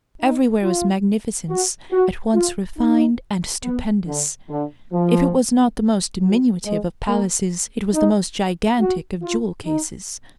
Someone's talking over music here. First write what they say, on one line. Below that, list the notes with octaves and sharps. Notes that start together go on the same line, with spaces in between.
Everywhere was magnificence, at once refined and stupendous; if it was not the most diminutive of palaces, it was the most gigantic of jewel-cases.
D#4
F4
F#4
F#4
F4
D#4
B3
D3
D3
F3
F#3
G#3
A#3
D#4
F#4
F4
D#4